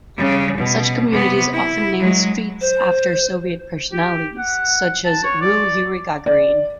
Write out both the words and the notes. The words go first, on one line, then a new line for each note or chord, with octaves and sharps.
Such communities often named streets after Soviet personalities, such as "rue Youri Gagarine".
C#3 G3
B2
C3 B3
E4
F#3 G#3
C5
G4
F#5
A5
C#5
D5
D5